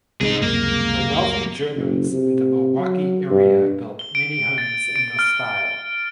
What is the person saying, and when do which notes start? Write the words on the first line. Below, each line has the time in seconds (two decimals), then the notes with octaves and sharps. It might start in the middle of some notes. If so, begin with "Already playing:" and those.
The wealthy Germans in the Milwaukee area built many homes in the style.
0.21 C2 G#3 D#4 G#4
0.42 C#2 F#2 A#3
1.76 F#1
2.11 C3
2.78 F#3
3.31 G2
3.99 G7
4.15 D7
4.58 A6
4.96 D7
5.19 F6